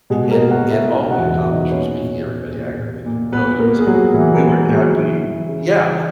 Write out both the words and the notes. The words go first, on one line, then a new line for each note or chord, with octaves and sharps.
and and all we accomplished was making everybody aggravated. Nobody was happy. We weren't happy Yeah.
B2 G#3 G#4
A#3 A#4
B2
F#4 F#5
B2
E4 E5
D#5
B2 E4 E5
F#4 F#5
E2
E4 E5
B2
D#4 D#5
B4
A#2 C#4 C#5
A#2
A#2
A#2
A#2
A#2
A#2 B3 B4
A#2 A#3 A#4
G#4
A#2 F#3 F#4
A#2 E3 E4
A#3 A#4
A#2
A#4
G#3 G#4
A#2
F#3 F#4
C#3 E3 E4
E3
C#3
E3